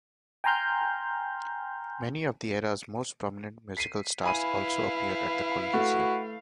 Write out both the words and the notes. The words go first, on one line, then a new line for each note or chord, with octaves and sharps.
Many of the era's most prominent musical stars also appeared at the Coliseum.
G5 G#5 A#5 C6 F6 G6
B6 C7 D#7
E4 B4 F5 G#5 B5 D#7
A3 F#4